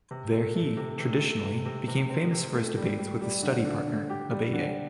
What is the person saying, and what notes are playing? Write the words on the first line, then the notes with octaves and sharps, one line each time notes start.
There he, traditionally, became famous for his debates with his study-partner Abaye.
C3
A3
A3
C3
C3
A3
C3
C3
C3
C4
C3
A3
G3
G3
G3
D3
D3
D3
G4
G3
D3